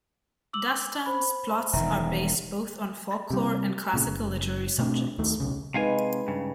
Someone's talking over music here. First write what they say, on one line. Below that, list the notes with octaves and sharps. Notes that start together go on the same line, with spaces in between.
Dastan's plots are based both on folklore and classical literary subjects.
D6 E6 F#7
C5 B5
E1 D#3 E5 A#5
C3 G3
A#2 C#3
F#1
B2 A3 C4 D4
D#2 D#3 A3
B1 C#3
C3 G#3 D#4 B4 F5 G#5
G2 C#3